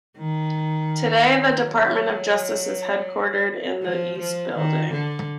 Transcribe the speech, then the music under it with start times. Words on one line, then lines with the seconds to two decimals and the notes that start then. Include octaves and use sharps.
Today the Department of Justice is headquartered in the East Building.
0.18 D#3
1.64 F#3
3.83 F3
4.19 F3
4.56 D#3
4.92 D3